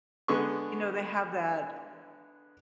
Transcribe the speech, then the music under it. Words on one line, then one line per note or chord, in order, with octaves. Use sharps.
you know, they have that, uh,
D3 G#3 B3 C#6